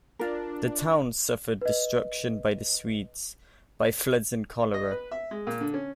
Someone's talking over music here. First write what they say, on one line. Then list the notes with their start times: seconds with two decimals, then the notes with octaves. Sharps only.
The town suffered destruction by the Swedes, by floods and cholera.
0.19 D4 F4 A#4
1.62 B4 D#5
4.74 D#5
4.91 B4
5.11 E5
5.31 G#3
5.47 A#2
5.61 D3
5.74 C#4